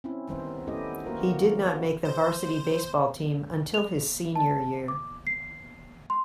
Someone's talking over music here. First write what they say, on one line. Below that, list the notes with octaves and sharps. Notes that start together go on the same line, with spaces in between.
He did not make the varsity baseball team until his senior year.
C4 C#4 E4
D#3 G3 B3 D#4 C5
A3 B3 C#4 E4 G4 D#5
A#3 B3 F#4 A#4 C5
D#3 F3
F#4
C5
F7
A5
D6
C7
C6